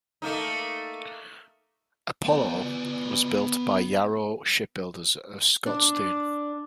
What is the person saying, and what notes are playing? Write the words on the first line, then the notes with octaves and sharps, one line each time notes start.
"Apollo" was built by Yarrow Shipbuilders of Scotstoun.
A3 A#3 D#4
B3 D5
D4